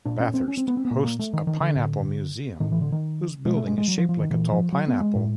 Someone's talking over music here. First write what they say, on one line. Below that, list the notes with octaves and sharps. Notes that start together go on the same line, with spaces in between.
Bathurst hosts a pineapple museum whose building is shaped like a tall pineapple.
A#2 D4
C#4
C4
C#4
C4
B3
C4
B3
A#2 A#3
A#3
A3
D#3
D#3
D3
A2
A2 D#3
E3
D3
D#3
B2 G#3
A3
G#3
G#3
F#3
F3
F3
D#3
A#2 E3
F3
F#3
B3
G#3
A2